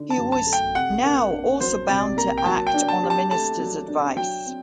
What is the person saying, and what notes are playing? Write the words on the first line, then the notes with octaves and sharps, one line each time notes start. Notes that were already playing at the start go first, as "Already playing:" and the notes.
He was now also bound to act on the ministers' advice.
Already playing: D3 D#4
A5
F#2
A5
A3
G5
C3 F#5
A#3
D4
F#3 C5
C3 D5
A#3 A#5
G5
F#3 A5
G5
D4
A5
G4
A5
A3 A5
F#3
D4
F#3 G5
C4